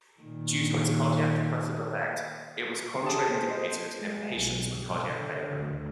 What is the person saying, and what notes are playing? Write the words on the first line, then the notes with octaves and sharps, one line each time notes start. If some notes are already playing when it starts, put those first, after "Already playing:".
Due to its cardiac depressive effect, it was contraindicated in patients with cardiac failure.
A#2 D#3
G4 G#4 A5
C5
C5 D#5
G#3
B1
G2
D3
D2